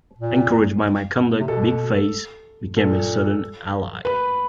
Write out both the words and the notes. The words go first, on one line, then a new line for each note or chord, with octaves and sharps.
Encouraged by my conduct, Big-Face became a sudden ally.
A#2
C3
B2 A4
A#2 A4
B4